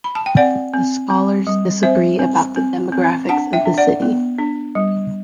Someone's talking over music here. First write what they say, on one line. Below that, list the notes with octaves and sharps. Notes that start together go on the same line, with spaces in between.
The scholars disagree about the demographics of the city.
B5
A5
G5
C4 D5 F#5
C4
C4
G3
C4 C5 E5
C4
C4
C4
D4 F#5 A5
E5 G5
D4
D5 F#5
B3
D4
G3